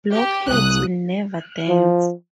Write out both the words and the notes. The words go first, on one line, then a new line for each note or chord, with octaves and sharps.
Blockheads will never dance!
G4
C2 D#6 F#6
F3